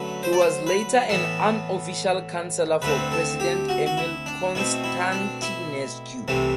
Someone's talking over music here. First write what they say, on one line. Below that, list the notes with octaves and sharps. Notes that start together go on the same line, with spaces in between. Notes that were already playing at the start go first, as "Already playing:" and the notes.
He was later an unofficial counselor for president Emil Constantinescu.
Already playing: F#2 D3 F#3 A3 B4
C5
D5
C5
B4
A2 E3 B3 A4
D2 D3 A3 C4 B4
A4
G4
F#4
F#4
E4
D4
B2 A3 C4 E4
E4
D4
E4
C2 C3 E3 A3